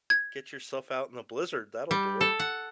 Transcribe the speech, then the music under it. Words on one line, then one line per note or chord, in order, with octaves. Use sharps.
Get yourself out in a blizzard, that'll do it.
G#6
G3
A4
F#5